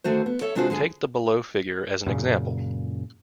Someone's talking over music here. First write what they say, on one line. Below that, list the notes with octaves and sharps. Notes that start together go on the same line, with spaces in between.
Take the below figure as an example.
D3 D#3 A3 F#4 C5
B3
A4 C#5 E5
C3 G#3 D4 F4 F#4 C5
D3 G#3 G#4 G#5
F#2 A#2 C#3